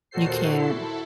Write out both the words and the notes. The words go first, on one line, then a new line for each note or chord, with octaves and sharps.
You can't.
D#2 A#2 F#4 A4 C5 C7
E4 A4